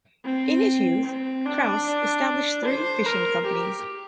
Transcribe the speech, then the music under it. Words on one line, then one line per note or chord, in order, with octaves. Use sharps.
In his youth, Crouse established three fishing companies.
C4
C4
D4
D4
C5
A#4
G4